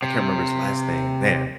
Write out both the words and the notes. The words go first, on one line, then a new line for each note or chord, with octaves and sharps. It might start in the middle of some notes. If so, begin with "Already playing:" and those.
I can't remember his last name. Man.
C3